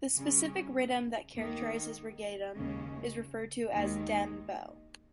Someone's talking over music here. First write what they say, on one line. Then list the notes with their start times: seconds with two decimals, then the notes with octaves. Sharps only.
The specific "riddim" that characterizes reggaeton is referred to as "Dem Bow".
0.17 C#3 G3 C#4
1.36 D#2 D#3 A#3 D#4
2.55 D#2 C#3 G#3 C#4
3.73 D#2 D#3 G#3 D#4